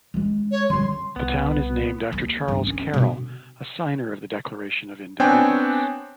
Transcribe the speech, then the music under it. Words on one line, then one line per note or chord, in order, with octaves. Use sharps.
The town is named after Charles Carroll, a signer of the Declaration of Independence.
G#3 D4
C#5
D3 G3 C6
C2 B3
D#2
G1 D3
C#4
B2 D3
B3 C4 D4 C#5 G5 G#5